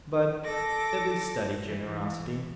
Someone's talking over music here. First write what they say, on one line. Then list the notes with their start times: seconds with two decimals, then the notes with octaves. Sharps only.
But, at least, study generosity.
0.44 A4 D6 A#6
1.64 E3